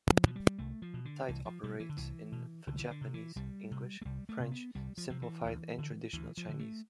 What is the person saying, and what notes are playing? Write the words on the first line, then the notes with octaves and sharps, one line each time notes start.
The site operates in Japanese, English, French, Simplified and Traditional Chinese.
F3
B2 F3
G3
C2 A3
F3
B2
D3
C2 E3
F3
B2 G3
E3
D3
C2 E3
B2
C2 D3
E3
D3
C3
E3
C2 G3
C3
A3
C2 G3
A3
C3
B3
C2 G3
F3
C3 F3
E3
D2
D3
D2 E3
F3
D3
A3